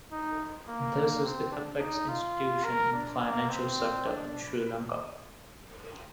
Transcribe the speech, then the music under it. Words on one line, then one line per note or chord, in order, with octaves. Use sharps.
This is the apex institution in the financial sector in Sri Lanka.
D#4
A#3
C4
D4
D#4
F4
A#4
D4
A#3
C4
D4